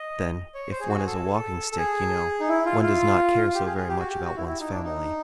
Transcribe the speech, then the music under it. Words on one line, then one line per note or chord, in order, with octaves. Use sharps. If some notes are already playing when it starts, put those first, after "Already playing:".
But then, if one is a Walking-Stick, you know, one does not care so very much about one's family.
Already playing: D#5
C#5
C5
G#4
F#4
G#4
A4
A4
G#4
D#4
E4
F4
F4
G4
G#4
G#4
G4
F#4
G4
F#4
E4
E4
D#4
D4
D#4